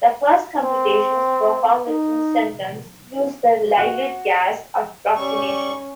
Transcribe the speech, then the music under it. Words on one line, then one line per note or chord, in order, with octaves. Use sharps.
The first computations performed with instantons used the dilute gas approximation.
C4
D#4
F#4
G3 C#4 C#6